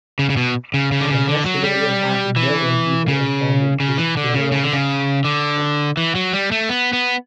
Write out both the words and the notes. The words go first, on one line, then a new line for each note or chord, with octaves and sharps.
An estimated half a million people attended his funeral.
C#3
C#3
B2
C#3
C#3
D3
C#3
D3
F#3
G3
E3
C#3
C#3
E3
D3
C#3
C#3
D3
C#3
D3
E3
F#3
G3
A3
B3
B3